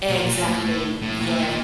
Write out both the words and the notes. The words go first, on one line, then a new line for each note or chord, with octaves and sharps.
Exactly, yeah.
A#2
A#2
A2
A2
A2
A#2
A2
A#2